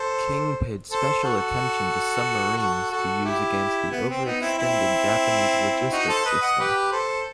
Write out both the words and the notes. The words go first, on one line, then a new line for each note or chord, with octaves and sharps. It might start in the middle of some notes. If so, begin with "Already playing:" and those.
King paid special attention to submarines to use against the overextended Japanese logistics system.
Already playing: A4 C5
A4 C5
F#4 A4
F#4 A4
F#4 A4
E4 G4
B3
C4
B3 D#4
C4 E4
C4 E4
D#4 F#4
A4 C5
B4 D#5
D#5 F#5
G4 B4
A4 C5